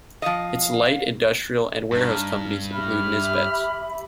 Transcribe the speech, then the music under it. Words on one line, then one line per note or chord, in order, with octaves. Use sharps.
Its light industrial and warehouse companies include Nisbets.
F3 D#5 F5
G2 D4 D#4 F6
G4 E5 B5 F6